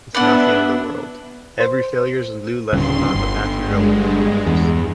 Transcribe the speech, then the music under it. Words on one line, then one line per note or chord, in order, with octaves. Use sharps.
it's not the end of the world. Every failure is a new lesson on the path you're going down. They're just
B3 D4 B4 D5 E5 F#5
C5
D1 G2 C#3 C6
G1
G2 G#3
E2